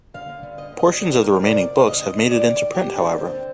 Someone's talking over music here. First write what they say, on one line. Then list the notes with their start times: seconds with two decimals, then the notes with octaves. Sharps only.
Portions of the remaining books have made it into print, however.
0.14 D3 F5
0.29 D3
0.43 G2
0.57 D3 D#5
0.72 D3
0.79 D#5
0.87 G2
1.00 D#3 D5
1.15 D#3
1.22 A#4
1.30 F2
1.44 C3 D5
1.59 F2
1.74 F2
1.79 F5
1.88 D3 D#5
2.02 D3
2.17 G2
2.31 D#3 D5
2.46 D#3
2.60 G2
2.75 D#3 G4
2.89 D#3
2.96 D4
3.03 G2
3.18 D3 C4
3.33 D3